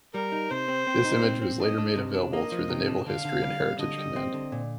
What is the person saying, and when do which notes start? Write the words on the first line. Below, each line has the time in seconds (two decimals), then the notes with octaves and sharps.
This image was later made available through the Naval History and Heritage Command.
0.14 G3 A#4
0.32 D#4
0.50 C3 C5
0.68 C4
0.87 C4
1.05 D#4
1.23 C4
1.42 C4
1.60 D4 D#5
1.78 D4
1.96 C3
2.14 D4
2.33 A#3 D#5
2.52 F3
2.70 C3
2.88 D4
3.06 D3 F5
3.25 D3
3.42 G3
3.60 G3
3.78 D3 D#5
3.98 G3
4.16 C4
4.34 D3
4.52 A#2